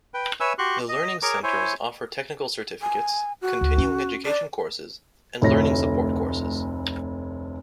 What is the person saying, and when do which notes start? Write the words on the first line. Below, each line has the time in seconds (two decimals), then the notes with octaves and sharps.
The learning centers offer technical certificates, continuing education courses, and learning support courses.
0.14 B4 G5
0.40 B4 C#5 E5 G#5 E6
0.58 F#4 G4 C6 C#6 F#6
0.89 D#5
1.22 G#4 A#4 C#5 A#5 C#6 D6
1.43 E4 C5 C#5 G#5
2.82 G#5
3.42 F#4
3.61 D2
3.78 C#4
4.25 D5
5.42 F1 D2 E4 A4 C#5 A#6